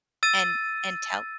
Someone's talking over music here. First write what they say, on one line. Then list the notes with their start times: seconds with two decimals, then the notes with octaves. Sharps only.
and and tell
0.23 E6 A6 D#7